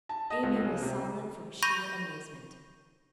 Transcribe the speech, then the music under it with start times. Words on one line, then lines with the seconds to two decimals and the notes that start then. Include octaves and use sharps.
Amy was silent from sheer amazement.
0.09 A5
0.30 D#5
0.43 C#2
0.64 C#3
0.82 C3
1.63 B5 C#6 G6 A#6 D#7